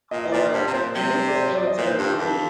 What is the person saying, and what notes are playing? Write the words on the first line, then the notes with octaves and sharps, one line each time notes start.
or and this is irritating for me,
A#2 D#5
D#5
A#2 D5
G2 C5
C3
A#2 C5
C3
D5
C5
C5
D5
D#5
A#2
C5
G2 G4
F4
F2 G4